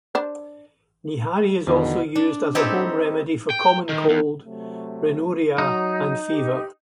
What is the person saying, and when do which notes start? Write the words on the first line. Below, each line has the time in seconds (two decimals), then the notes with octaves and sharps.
Nihari is also used as a home remedy for Common cold, Rhinorrhea and Fever.
0.15 D4 C5
1.67 E2 B2 D3 D#3
2.15 D4
2.55 C4 D#4 E4 G4 A4
3.50 G5
3.89 D#3
4.10 E2
4.45 C3 F#3 A3
5.58 F#3 D#4
6.31 G4